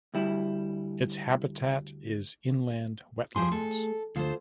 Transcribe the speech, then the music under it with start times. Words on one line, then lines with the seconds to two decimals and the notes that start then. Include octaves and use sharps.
Its habitat is inland wetlands.
0.14 D2 G3 E4
3.36 F3 G3 G#4 C6
3.52 A3 G#4 A4
4.16 D2 F4 A4 C5